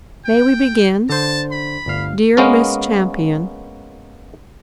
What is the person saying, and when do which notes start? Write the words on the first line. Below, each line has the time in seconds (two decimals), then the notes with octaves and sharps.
May we begin?-- Dear Miss Champion ...
0.25 G5
1.09 D3 C5 A5
1.52 B5
1.86 G1 D2 F5
2.37 G#3 A#3 B3 C#4 A#4